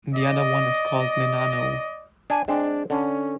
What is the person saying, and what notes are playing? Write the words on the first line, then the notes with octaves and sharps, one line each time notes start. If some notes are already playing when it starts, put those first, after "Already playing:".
The other one is called nenano.
D5 D#5
D4 G#5
G#3 C4 D4 C5
D3 C#4